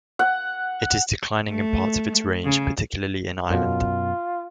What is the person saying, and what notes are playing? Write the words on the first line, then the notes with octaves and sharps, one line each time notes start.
It is declining in parts of its range, particularly in Ireland.
F#5
A3
C#3
F#2 B2 F4